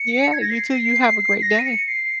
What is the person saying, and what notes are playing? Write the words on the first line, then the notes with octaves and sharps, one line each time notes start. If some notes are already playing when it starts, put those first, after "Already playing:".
Yeah, you too, you have a great day.
Already playing: C#7
G#6
A#6
C7
A#6
D#7
C#7
C7